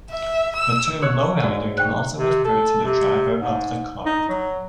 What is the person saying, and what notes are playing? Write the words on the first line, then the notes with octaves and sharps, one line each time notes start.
The term "lowrider" can also refer to the driver of the car.
E5
E6
G#4 C#5 E6 F#6
G#2 F#4 D5 F5
C5 G5 C#6
C3
A4
C3
G#2
D#4
F#3